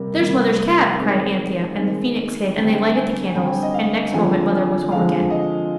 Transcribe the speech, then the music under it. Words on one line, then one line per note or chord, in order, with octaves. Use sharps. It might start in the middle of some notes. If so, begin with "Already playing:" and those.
'There's mother's cab,' cried Anthea, and the Phoenix hid and they lighted the candles, and next moment mother was home again.
Already playing: C3 G3 A#3
C3 G3 A#3
D#3 G#3 C4
D#3 G#3 C4
D3 G3 C4 G5
G#5
D3 G3 C4 G5
D#5
F5
D3 F3 G#3 C4 G#5
D3 F3 G#3 C4 F5
D#5